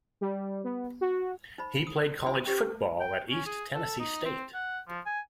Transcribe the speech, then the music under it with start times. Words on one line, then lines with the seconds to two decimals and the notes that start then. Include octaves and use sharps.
He played college football at East Tennessee State.
0.21 G3
0.64 B3
1.01 F#4
1.58 D#4 C5 B5
1.87 D#6
2.26 D4 F4 C5 G#5 C6
2.46 C#4 G4 B4 C5
3.01 G5
3.30 C#4
3.46 G#4
3.75 A4
4.00 D#4
4.25 C4
4.54 F#5
4.88 F3
5.06 G#5